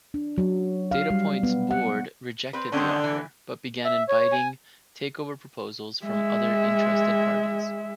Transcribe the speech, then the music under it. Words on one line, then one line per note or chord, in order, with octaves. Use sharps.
Datapoint's board rejected the offer but began inviting takeover proposals from other interested parties.
D4
F#3
F5
G3
B3
F#5
C4 B4
D3 D#3 C4 C#4
E3
E5
C#5
G#5
G#3 E5